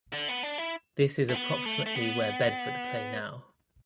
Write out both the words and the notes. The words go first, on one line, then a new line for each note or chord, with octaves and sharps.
This is approximately where Bedford play now.
D3
B3
D4
E4
A3
B3
A3
A3
B3